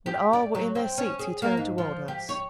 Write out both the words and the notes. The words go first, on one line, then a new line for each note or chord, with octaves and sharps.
When all were in their seats he turned toward us.
G4
D5
F#3
C4
C#4
G#4
A#3
G#2
F3
G4
C#5